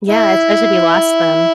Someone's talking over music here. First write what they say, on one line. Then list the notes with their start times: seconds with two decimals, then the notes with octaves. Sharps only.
Yeah, especially if you lost them.
0.10 E4